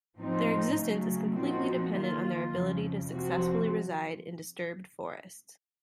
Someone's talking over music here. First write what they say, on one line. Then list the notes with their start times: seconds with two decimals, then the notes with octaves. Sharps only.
Their existence is completely dependent on their ability to successfully reside in disturbed forests.
0.18 A2 F3 C4 D#4
0.76 C#3 F#3 A3
1.34 A#2 F3 C4 D#4 F#4
1.93 D#3 A#3 F4
2.52 F2 C#3 F3
3.09 C3 F3 C4 F#4